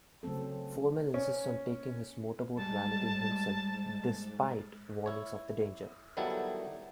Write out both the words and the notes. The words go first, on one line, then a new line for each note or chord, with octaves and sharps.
Foreman insists on taking his motorboat "Vanity" himself, despite warnings of the danger.
C#3 F#3 A3 C4 A4
C#4
F2 G#2 G3 A5
E4 C#5
D#3 F#3 G3 B3 E4 A4